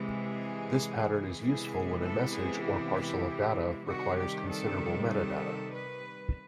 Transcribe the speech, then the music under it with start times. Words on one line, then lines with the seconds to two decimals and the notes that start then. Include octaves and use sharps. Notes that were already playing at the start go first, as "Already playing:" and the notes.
This pattern is useful when a message, or parcel of data, requires considerable metadata.
Already playing: C3 E3 G#3
0.19 G#4
1.41 C3 E3 G#3 B3 E4 G#4
2.03 A4
2.33 G#4
2.64 G4
3.86 C3 D#3 G3 F#4
4.17 G4
4.47 A4
5.09 A4
5.70 B4